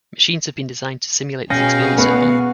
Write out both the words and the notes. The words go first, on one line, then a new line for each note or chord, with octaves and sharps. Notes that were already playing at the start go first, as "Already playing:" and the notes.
Machines have been designed to simulate this experience at home.
B2 C#4 G#4 F5 G5 A#6
B3 F#4 F5